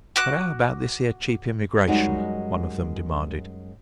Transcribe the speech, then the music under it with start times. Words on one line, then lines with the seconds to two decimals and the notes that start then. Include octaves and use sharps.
"But 'ow about this 'ere cheap immigration?" one of them demanded.
0.16 F#4 D6 F#6
1.87 F#2 G3 G#3 D#4 F#4